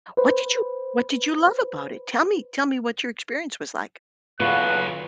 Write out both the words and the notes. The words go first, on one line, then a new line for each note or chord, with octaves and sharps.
What did you what did you love about it? Tell me tell me what your experience was like.
B4 C5
B1 E2 C#3 F#3 F4 B4 F#6